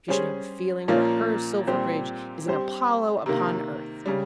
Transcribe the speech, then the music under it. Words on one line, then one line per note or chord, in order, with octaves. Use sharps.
She should have a feeling that her Silverbridge is an Apollo upon earth.
G3 C#4 G#4 C5
A#2 F3 A#3 C#4 F4
A#2 G3 C4 G4 C5
G3 C4 G4 C5
C3 D#3 A#3
C#3 G3